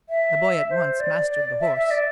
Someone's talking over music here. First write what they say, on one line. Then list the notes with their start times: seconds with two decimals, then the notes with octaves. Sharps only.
The boy at once mastered the horse.
0.09 E5
0.70 C5
1.00 D5
1.30 D5
1.61 E5
1.76 E5
1.91 D5